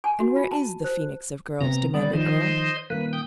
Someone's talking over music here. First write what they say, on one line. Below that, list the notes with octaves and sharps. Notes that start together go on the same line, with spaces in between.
"And where is the phoenix of girls?" demanded Earle.
G#5
F#4
F4
A5
C5
C3 B3 C4 A#5
D#1 G3 B3 D5
D#3 F3 C5 D#5
D#1 A#3 B4
G5 D#6 G6